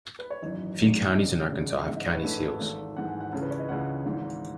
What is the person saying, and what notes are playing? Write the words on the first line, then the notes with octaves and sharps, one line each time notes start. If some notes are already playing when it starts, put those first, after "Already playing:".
Few counties in Arkansas have county seals.
B4
C#5
G#1 F#2 E3 D#5
G#1 F#2 E3
E1 E2 C#3 D#5
E1 E2 C#3
A1 G#2 E3 E5
D#5
C#5
B4
A1 G#2 E3 A4
G#4
A4
G#1 G#2 E3 A4
G#1 G#2 E3 F#5
G#5
F#5
C#2 C#3 E3 A4
B4
C#5
D#5
C#2 C#3 E3 F#5
G#1 G#2 E3